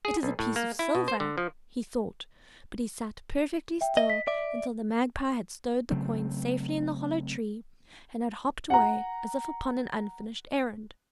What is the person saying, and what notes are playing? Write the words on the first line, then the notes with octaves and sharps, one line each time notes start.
"It is a piece of silver!" he thought, but he sat perfectly still until the Magpie had stowed the coin safely in the hollow tree and had hopped away as if upon an unfinished errand.
G#4
B1
A2
A#3
E4
B2
C5
D3
F3
E5 G5
D#5 E5
B6
D5 E5
C#3 F#3 A3 C4
F#5 A#5